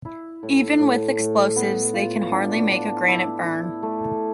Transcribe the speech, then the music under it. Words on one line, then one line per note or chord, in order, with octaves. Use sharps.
Even with explosives, they can hardly make a granite burn.
E4
A2
A2
A2
B3
F4
D4
D4
E4
E4
A3